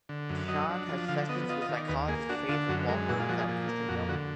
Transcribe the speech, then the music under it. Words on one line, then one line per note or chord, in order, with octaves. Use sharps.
Sean has sessions with psychologist Faith Wolper without Christian knowing.
D3
F#2
F#3 D#5
D4
F3
D3 F5
B3 D#5
F4 D#5
D#5
D#3
D5
D#2 B4
A#3 G#4
D4 F#4
D3 F4
F#2 F#4
G#3 A#4
A#2 F#4
F4
F3 F#4
G#4
A#2
A#3
F2 F#4
D3 F#4